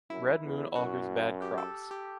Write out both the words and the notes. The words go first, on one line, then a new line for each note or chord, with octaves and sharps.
Red moon augurs bad crops.
F#2 E4
E2
F#2 F#4
G4
A4
G4